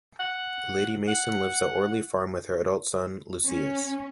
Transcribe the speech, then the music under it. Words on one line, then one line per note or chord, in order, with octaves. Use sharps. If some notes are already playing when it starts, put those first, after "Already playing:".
Lady Mason lives at Orley Farm with her adult son, Lucius.
F#5
F#5
C#4